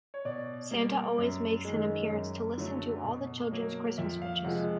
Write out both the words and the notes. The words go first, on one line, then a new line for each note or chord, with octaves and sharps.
Santa always makes an appearance to listen to all the children's Christmas wishes.
C#5
B2 D5
G3 A#3
F#2
D#3 G#3
F#2
D3 F#3 A3
B2
F#3 A#3
F2 E5
F5
C3 F3 G#3 F#5